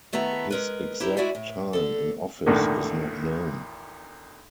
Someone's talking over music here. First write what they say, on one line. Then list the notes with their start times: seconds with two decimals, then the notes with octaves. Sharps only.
His exact time in office is not known.
0.13 D#3 A3 B3 E4 A#5
0.50 G#3 A#4 B4
1.00 E4 G4 C5 A#5
1.17 G#3 E4 F#4 D5 E5 G#5
1.35 A2
1.73 D3 A4
2.46 B1 E2 A2 D3 D#3 A#3